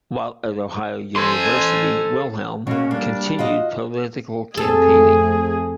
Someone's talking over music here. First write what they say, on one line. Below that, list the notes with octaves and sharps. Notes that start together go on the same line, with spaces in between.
While at Ohio University, Wilhelm continued political campaigning.
A4 C5 G#5 C6
B2 A#3 C#4 F#4
G3 A#3 D4
F4 F#4 D#5
F2 A3 C4 G#4 A4